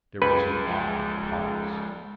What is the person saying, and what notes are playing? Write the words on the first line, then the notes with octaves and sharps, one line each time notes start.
There was an awkward pause.
C#2 B4
F3 G#3